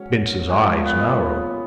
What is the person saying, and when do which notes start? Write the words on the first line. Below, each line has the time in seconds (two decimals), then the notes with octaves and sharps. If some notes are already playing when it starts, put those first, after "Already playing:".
Bince's eyes narrowed.
Already playing: G#2 F#3 C#4
0.49 A#2 F3 G#3
0.86 B3